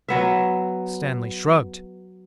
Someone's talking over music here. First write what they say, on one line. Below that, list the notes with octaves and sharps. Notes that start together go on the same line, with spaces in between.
Stanley shrugged.
F#3 B3 E5